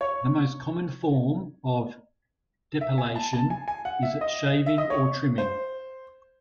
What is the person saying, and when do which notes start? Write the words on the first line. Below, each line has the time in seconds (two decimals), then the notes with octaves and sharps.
The most common form of depilation is shaving or trimming.
0.01 C#5
2.81 E5
2.98 G#5
3.16 A5
3.33 A5
3.50 G#5
3.68 G#5
3.85 F#5
4.03 E5
4.21 D#5
4.66 E5
4.78 D#5
4.90 C#5
5.38 C5